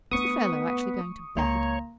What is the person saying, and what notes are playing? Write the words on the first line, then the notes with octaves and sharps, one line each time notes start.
Was the fellow actually going to bed?
A3 B3 D4 C#6 D#6
C#2 A#3 C#5 A#5